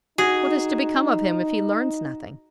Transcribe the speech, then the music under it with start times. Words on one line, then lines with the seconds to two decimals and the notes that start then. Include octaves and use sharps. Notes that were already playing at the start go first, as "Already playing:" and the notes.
"What is to become of him if he learns nothing?"
0.18 D#4 F#4 G#4